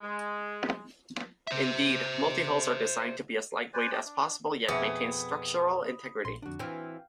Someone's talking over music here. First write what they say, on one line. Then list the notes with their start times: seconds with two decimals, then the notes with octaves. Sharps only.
Indeed, multihulls are designed to be as light-weight as possible, yet maintain structural integrity.
0.02 G#3
1.47 C5 E5
3.74 B4 C5 D5 G#5
3.92 G4 D#5 G5 A5
4.06 D4
4.68 F2 B2 B3 G#4 E5 B5 D#6 C#7
6.25 A#1 C6
6.42 F2 D3 D4 F#4
6.59 E3 C4 F5 G5